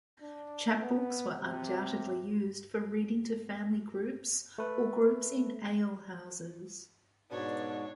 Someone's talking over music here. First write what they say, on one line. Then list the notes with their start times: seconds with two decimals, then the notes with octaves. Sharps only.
Chapbooks were undoubtedly used for reading to family groups or groups in alehouses.
0.22 D4
0.81 B3
1.37 C3
4.58 A3 B4
7.31 G#2 B2 D4 C#5 D5